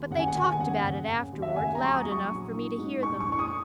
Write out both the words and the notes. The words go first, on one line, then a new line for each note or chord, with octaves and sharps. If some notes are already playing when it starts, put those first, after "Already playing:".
But they talked about it afterward, loud enough for me to hear them.
Already playing: D#2
C#3 F#5
G#5
F#5
D#2 G#5
F#5
G#5
C#3 F#5
C#3
C#3
D#2
E5
F#5
C#3 G#5
A#5
F#3 C#6
D#6
F#3
C#6
A#1
E3
G#2
A#1 C#6
C#6
E3
C#6
D#6